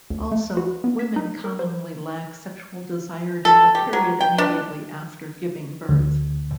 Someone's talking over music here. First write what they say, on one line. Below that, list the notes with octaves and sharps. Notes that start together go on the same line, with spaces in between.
Also, women commonly lack sexual desire in the period immediately after giving birth.
D2
A3
F#4
B3
B6
D#4
A#4
C5
A4
G4
F#3
G5
D4
D2